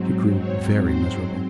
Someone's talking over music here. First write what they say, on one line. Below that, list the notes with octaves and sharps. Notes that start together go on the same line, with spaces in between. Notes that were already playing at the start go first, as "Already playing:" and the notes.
She grew very miserable.
Already playing: G#2 F#3 C4
C#5
C5